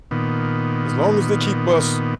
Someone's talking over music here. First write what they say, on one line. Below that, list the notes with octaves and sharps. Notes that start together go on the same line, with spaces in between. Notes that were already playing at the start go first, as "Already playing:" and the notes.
As long as they keep us
A#2 D#3 B3